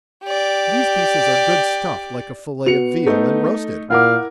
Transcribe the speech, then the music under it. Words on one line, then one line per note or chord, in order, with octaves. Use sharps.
These pieces are good stuffed like a fillet of veal, and roasted.
G4 D5
B3 F#4 C#7 F7
A3 D#4 A4
A#2 E4 A#4 F5 F#5 D6